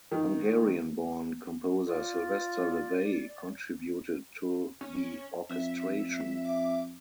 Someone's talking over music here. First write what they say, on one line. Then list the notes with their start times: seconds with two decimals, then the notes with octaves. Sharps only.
Hungarian-born composer Sylvester Levay contributed to the orchestration.
0.12 D#3
1.87 F4 D5
4.81 C#4
5.49 F2 E5
6.45 E5 D6